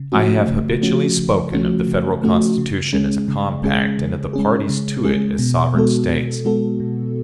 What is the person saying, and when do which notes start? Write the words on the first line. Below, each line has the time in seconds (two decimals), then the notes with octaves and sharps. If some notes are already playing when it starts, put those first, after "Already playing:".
I have habitually spoken of the Federal Constitution as a compact, and of the parties to it as sovereign States.
Already playing: C#3
0.12 F3 A3 C#4 F#4
0.47 C#3
0.82 F3 A3 C#4 F#4
1.17 C#3
1.52 F3 A3 C#4 F#4
1.87 C#3
2.22 F3 A3 C#4 F#4
2.58 C#3
2.93 G#3 C#4 G#4
3.28 C#3
3.63 G#3 C#4 G#4
3.98 C#3
4.33 G#3 C#4 G#4
4.69 C#3
5.04 G#3 C#4 G#4
5.39 B2
5.75 G#3 B3 F#4 A4
6.10 B2
6.45 G#3 B3 F#4 A4
6.80 B2